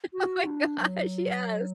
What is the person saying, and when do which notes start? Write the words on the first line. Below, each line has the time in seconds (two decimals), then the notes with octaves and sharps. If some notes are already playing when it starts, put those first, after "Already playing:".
Oh my gosh, yes.
0.13 F#4
0.46 D4
0.80 F#3